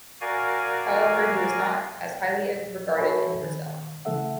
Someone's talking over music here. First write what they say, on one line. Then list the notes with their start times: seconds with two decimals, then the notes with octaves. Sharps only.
However, he was not as highly regarded in Brazil.
0.21 F#4 A#4 D5 F5 G#5
2.97 F#4 A4 C#5 E5 G#5 B5
3.43 D#3
4.05 C#3 E3 A3 A4 E5 F#5